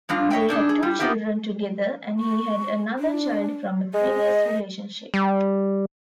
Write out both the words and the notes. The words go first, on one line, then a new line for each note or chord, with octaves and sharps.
They had two children together and he had another child from a previous relationship.
F2 G3 D4 F4
C#5 D#5 E5 G5 G#5
C3 D4 D#4 G#4
G#4
G3
B3 D#4 F4 G4 E5
C#6
D4
G#3 D#5
G3